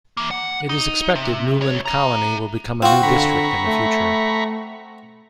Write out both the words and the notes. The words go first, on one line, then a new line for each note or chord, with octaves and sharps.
It is expected Neuland Colony will become a new district in the future.
E3 A#3
F#5
D#4
C3
C#2 C#5
E5 A#5
C4 F4 F#4
D3 A#5 B5 C#6
A3